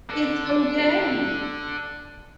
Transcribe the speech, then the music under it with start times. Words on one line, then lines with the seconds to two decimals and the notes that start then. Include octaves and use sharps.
it's okay,
0.10 D4 A4